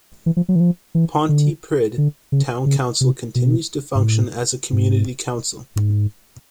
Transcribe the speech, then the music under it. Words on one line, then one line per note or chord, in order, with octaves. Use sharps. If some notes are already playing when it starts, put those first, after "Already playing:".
Pontypridd Town Council continues to function as a community council.
E3
F3
F#3
E3
F3
E3
D3
D3
C#3
C#3
C3
B2
G#2
A2
G#2
G#2